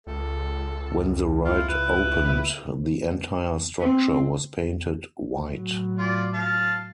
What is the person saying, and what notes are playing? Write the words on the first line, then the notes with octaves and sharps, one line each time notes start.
When the ride opened, the entire structure was painted white.
C#2 A4
E4 F4
B4
C4
A2 F#3
F4 D5
F5 A5